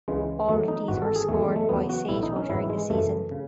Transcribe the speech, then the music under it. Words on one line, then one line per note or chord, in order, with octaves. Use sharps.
All of these were scored by Sato during the season.
C#2 C#3 E3 G#3
E2 D#3 F#3 A3
D#4
G#1 G#2 E3 F#4
A4
G#4
E2 D#3 F#3 A3
G#3
A3
E2 C#3 F#3 B3
F#4
B1 A2 E3 E4
D#4
C#4
G#1 G#2 E3 E4
G#3
F#2 C#3 E3 A3
C#3